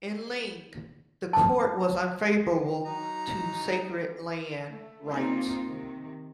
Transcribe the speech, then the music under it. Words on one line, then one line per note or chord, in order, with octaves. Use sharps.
In "Lyng", the Court was unfavorable to sacred land rights.
A5
F#3 D#4 A#5
A3
A#3 C4 D#4 F4
C3 D#3